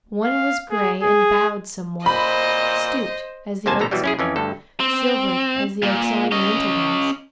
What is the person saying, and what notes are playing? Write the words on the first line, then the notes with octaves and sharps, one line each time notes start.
One was gray and bowed somewhat, stooped as the oaks are, silvered as the oaks are in the winter days.
F5
G#4
G#4
A#2 C5 D#5 B5
D#2 C3 A#3 C5 G#5 A5
A#1 B2 D3 A4 A#5
B2 E3 F#3 G3
C#4 E4 G#4
F2 E3 C#4
D2 G2 A4
C4
A#2
C#4 D#5